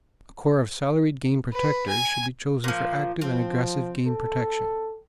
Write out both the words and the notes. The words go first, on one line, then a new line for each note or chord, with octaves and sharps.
A corps of salaried game protectors should be chosen for active and aggressive game protection.
B4
G#5
A#2 F3
F3 C4
A4